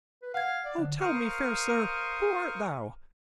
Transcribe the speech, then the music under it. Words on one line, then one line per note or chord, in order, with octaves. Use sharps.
'Oh, tell me, fair sir, who art thou?
B4
F5 F#5 G#6
D5
D3 F3
A#4 C5 F5 C#6 D#6 F6